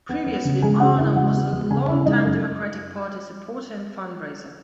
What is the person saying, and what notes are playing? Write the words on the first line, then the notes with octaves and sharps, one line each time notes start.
Previously, Arnall was a long-time Democratic Party supporter and fundraiser.
B3
B3
C#3
G#3 G#4 G#5
C#3 F#4 F#5
C#3 E4 E5
G#3 F#4 F#5
B3
G#3
C#3 G#4 G#5
C#3 E4 E5
G#3 D#4 D#5
F#2